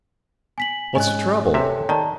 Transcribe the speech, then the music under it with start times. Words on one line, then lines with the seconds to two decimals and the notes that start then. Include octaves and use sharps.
"What's the trouble?"
0.58 G#5 B6 F#7
0.95 G#2 C#4 D#5 G#5 F#6
1.54 C3 A4 C#5 E5 G5
1.89 D#3 D5 A5 A#5